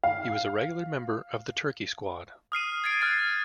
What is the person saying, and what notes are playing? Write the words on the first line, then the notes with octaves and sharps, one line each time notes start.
He was a regular member of the Turkey squad.
F5
D#6 F6 C7 D#7
G#6 A6 C7 D7
F6 F#6 A6 C7